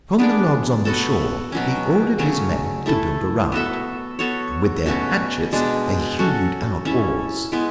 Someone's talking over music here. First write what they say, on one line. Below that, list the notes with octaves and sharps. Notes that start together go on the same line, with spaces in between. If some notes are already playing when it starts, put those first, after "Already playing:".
From the logs on the shore he ordered his men to build a raft, and with their hatchets they hewed out oars.
B3 D4 G#4 D5
B3 F#4 A4
B2 F#3 C#4
C#3 F#3 A3 C#4
A3 E4 A4
B3 F#4 A4 E5
B3 F#4 A4 C#5
B2 A3 C#4 F#4
B2 G#3 D4
C#4 F#4 A4
C#4 E4 A4
G#3 B3 E4